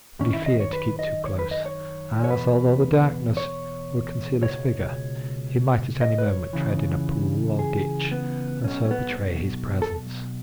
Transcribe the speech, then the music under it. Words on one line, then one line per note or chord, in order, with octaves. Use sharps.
But he feared to keep too close, as, although the darkness would conceal his figure, he might at any moment tread in a pool or ditch, and so betray his presence.
F#2 D#3 C#4
E4
D#5
C#5
B4
D#5
C#5
B4
D#5
C#5
C#5
E2 B2 B4
C#5
C#2 B2 C#5
D#5
B4
C#5
C#2 C#3 E3
G#4
B3
B1 B2 C#4
C#4
B3
A4